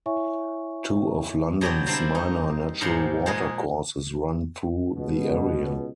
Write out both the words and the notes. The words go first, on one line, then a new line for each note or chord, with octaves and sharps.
Two of London's minor natural water courses run through the area.
E4 C#5 E5 G#5 C#6
B2 F#3 G4 D5 G5
G3 A#3 C4 D4 E4
D#4
G#2 E3 F3 F#5 A#5 C6
A#2 G#3 D#5
C#2 B2